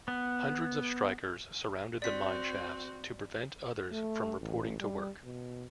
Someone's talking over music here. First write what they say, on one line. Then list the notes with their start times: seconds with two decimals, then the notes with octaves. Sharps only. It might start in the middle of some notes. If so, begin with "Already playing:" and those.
Hundreds of strikers surrounded the mine shafts to prevent others from reporting to work.
0.08 B3
2.02 C4 F#4 D5 B6
3.92 A3
4.39 A1
4.80 G3
5.24 B2